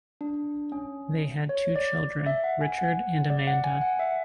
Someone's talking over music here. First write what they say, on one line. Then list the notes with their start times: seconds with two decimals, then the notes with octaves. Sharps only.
They had two children, Richard and Amanda.
0.21 D4
0.72 C#4
1.49 C#5
1.76 D5
2.26 E5
2.44 F#5
2.61 G#5
2.78 F#5
3.30 D5
3.47 F#5
3.64 G#5
3.81 F#5
3.99 E5